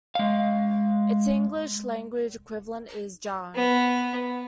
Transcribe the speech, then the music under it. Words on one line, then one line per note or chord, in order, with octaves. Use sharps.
Its English-language equivalent is "Jaron".
G#3 F5
B3